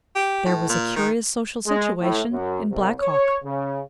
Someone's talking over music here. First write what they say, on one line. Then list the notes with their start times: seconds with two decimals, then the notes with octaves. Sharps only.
THERE was a curious social situation in Black Hawk.
0.15 G4
0.45 A2
0.69 A#2
0.96 D#3
1.67 G#3
2.00 A2
2.31 F#2
2.70 C2
3.00 C#5
3.44 C#3